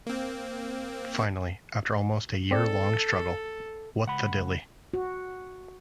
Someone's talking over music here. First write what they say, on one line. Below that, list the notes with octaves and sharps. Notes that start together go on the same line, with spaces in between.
Finally, after almost a year-long struggle, Whutthadilly?
A#3 C4
C4 A4 D5
C#2 F#5 B5
F#4